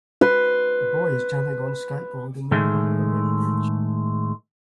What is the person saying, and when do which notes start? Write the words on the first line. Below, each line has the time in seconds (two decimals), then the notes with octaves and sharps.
A boy is jumping on skateboard in the middle of a red bridge.
0.21 B4 C6
2.51 A2 D#3 G#3 A3